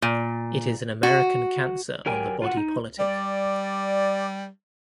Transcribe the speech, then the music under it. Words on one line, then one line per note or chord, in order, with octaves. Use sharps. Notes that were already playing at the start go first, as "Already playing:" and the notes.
It is an American cancer on the body politic.
A#2
F#4
F#3 G4 A#4 G5 G#5
F4 F#4 F#5
D#4
G3 D5